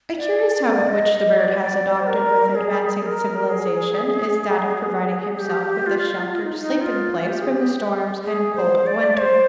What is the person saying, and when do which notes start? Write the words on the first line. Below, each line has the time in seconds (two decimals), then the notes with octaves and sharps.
A curious habit which the bird has adopted with advancing civilization is that of providing himself with a sheltered sleeping place from the storms and cold of winter.
0.17 D5
0.65 D5
0.89 D#5
1.13 D#5
1.36 D5
1.60 D5
1.92 D5
2.00 C5
2.07 A#4
2.55 G#4
3.02 A#4
3.49 G#4
5.39 G4
5.86 F4
6.34 F4
6.42 D#4
6.60 D#4
6.81 F4
7.29 G4
7.41 G#4
7.52 G4
8.24 G#4
8.55 C5
8.86 D5
9.18 C5